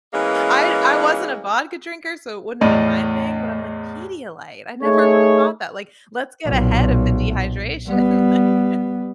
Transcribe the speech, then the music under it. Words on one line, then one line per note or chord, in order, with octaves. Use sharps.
I I wasn't a vodka drinker, so it wouldn't have been my thing, but I'm like, "Pedialyte, I never would have thought that." Like, let's get ahead of the dehydration, like
E3 G#3 A#3 B3 C#4
E2 A2 D5 D#5
A3 D#4 G#4 C#5
B1 A#2
G3 B3